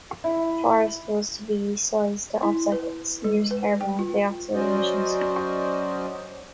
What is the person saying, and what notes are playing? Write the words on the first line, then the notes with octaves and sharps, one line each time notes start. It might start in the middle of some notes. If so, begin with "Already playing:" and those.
The forest was to be sized to offset the year's carbon dioxide emissions.
E4
E4
B4
G#3
B4
G5
F4
F#3 C#4 F#4 C5 D5 D#5